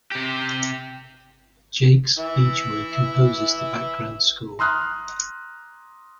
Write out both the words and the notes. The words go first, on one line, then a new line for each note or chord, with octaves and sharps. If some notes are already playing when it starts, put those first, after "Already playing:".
Jakes Bejoy composes the background score.
C3 G4
E3 E4 E5
A#5 C6 D#6 F6 F#6